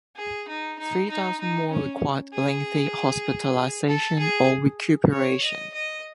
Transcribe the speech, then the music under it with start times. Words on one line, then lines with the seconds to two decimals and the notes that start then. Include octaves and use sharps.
Three thousand more required lengthy hospitalization or recuperation.
0.16 G#4
0.48 D#4
0.79 D#4
1.10 D#4
1.40 D#4
1.71 C#4
2.34 G#4
3.88 A4
4.18 G#4
5.12 C#5
5.43 D#5
5.74 D#5